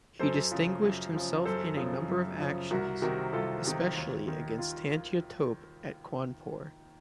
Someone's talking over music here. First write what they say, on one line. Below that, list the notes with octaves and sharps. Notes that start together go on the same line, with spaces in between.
He distinguished himself in a number of actions, especially against Tantya Tope at Cawnpore.
F#2 A4 C5
C#3 F3
F#2
C#3 F3
F#2 A4 C5
C#3 F3
F#2
C#3 F3
C2 F#4 A#4
C3 D#3 F#4 A#4
C2 F4 A4
C3 D#3
D#2
D#3
F4